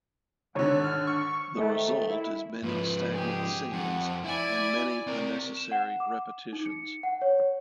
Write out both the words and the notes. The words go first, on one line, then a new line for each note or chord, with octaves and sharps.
The result is many stagnant scenes and many unnecessary repetitions.
G#1 D3 C#5
F6
C#6
G#2 D#3 A3
E4
G#2 F3 B4
G4 G#4
F2 F#5
E4 D5 G#5
C4 A#4 D5
E7
F#5
D6
D#4
C#7
F#5
C#5